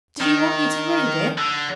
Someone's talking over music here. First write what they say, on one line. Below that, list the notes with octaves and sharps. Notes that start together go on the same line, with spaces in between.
"Did he want you to read it?"
D#3
D3